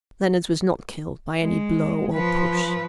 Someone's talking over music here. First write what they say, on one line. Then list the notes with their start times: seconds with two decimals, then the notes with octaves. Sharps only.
'Leonards was not killed by any blow or push.'
1.42 G#3
2.13 F3 B4